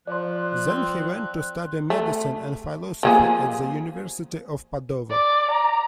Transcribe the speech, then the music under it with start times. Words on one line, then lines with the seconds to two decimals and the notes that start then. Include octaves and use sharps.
Then he went to study medicine and philosophy at the University of Padova.
0.07 F3 D5 C6 F#6
0.67 C4
1.90 A3
3.03 F3 A#3 G#4
5.10 D5
5.51 A#5